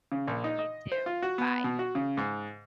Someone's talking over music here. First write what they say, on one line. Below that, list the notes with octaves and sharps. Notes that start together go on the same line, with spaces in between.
You too. Bye.
C#3
A#1
D#4
D#5
C5
F4
F#4
B3
B2
F#4
C#3
G#2